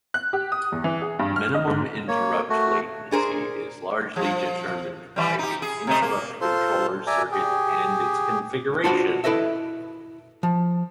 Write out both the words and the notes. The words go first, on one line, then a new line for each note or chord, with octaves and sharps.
Minimum interrupt latency is largely determined by the interrupt controller circuit and its configuration.
F#6
G4
D#6
E2
E3
G#4
G2
F6
D#5
G#2
A#3 C#5
A3 F#4
D4 G#4 A#4 C5
F3
E3 G3
D#4 G4
G#4
C3 A3 D#5
A#3
F4 A4 C5 C6
D5 E5 G#5 A#5 D6
G4 G#4
D4 F4 F#4 C5 D5 B5
E4 A4 B4 D#5 E5
F3